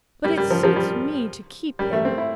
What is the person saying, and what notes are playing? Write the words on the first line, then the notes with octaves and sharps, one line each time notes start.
But it suits me to keep him.
G3
G3
F3
F3
G3
G3
A3
C4
E4